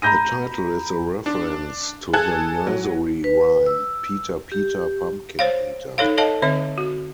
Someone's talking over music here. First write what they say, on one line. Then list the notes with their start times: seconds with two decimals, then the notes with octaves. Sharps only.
The title is a reference to the nursery rhyme "Peter Peter Pumpkin Eater".
0.02 A#5 B5 G6 A#6 D#7
1.26 D4
2.13 G#4 A4 F#6 G#6
2.67 F#3
3.24 B4
3.66 E6
4.52 G4
5.39 C5 C#5 F5
5.98 D#4 A4 C#5 F5
6.18 A4 C#5 D#5 F5 A5
6.42 D3 C4 C#5 E5
6.78 F#4